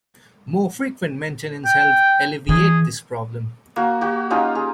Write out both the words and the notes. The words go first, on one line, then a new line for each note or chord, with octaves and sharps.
More frequent maintenance helped alleviate this problem.
G5
E3 G#4
A#3 F#4
F#4 G4
C#4 D#4 F4 G4
G#4